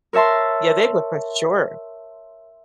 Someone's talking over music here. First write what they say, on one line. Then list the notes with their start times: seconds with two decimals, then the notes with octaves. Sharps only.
Yeah. They would, for sure.
0.13 A#4 C#5 E5 A5 C6